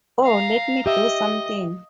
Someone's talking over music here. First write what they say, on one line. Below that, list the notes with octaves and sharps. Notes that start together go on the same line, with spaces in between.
Oh, let me do something!
F5 A#5
G4 D#5 E5